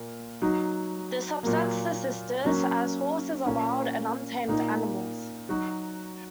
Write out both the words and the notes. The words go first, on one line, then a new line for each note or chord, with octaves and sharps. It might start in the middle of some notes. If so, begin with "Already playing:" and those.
This upsets the sisters, as horses are wild and untamed animals.
Already playing: A#2 A#3
F#3 D#4 F#4
A#2 F#3 A#3
F#3 A#3 C#4
A#2 A#3 C#4
A#2 A#3 D#4
F#3 D#4 F#4